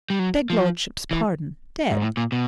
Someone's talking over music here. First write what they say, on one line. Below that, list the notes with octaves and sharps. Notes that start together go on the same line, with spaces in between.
"Begludship's pardon--dead."
G3
F#3
F3
E3
G#2
A2
A#2
B2